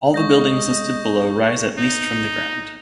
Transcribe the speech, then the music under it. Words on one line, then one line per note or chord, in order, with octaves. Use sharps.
All the buildings listed below rise at least from the ground.
G#3 D#5 C#6 G6 A#6
D#4